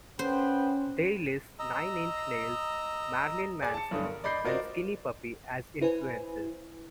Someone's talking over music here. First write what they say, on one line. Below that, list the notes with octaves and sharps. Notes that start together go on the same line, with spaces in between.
They list Nine Inch Nails, Marilyn Manson and Skinny Puppy as influences.
B3 C#4 B4 C5 G5
D#5 A#5 E6
G#4 D5 G#5
A5 C#7
B1 G2 D3 D#6
A#4
D5 D#5 B5 G6 C7
F4 F#4 A#4 C5 D5 D#5
E4 B4 C5 G#5